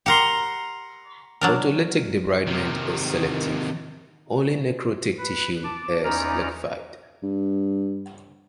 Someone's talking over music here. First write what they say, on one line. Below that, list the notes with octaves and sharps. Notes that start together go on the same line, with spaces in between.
Autolytic debridement is selective; only necrotic tissue is liquefied.
G4 A#4 F#5 A#5 C6
F#3 D4 A#4
C3 D#3
B4
A5 D6
E2 C#4 D#4 D5 A#5 F6
G2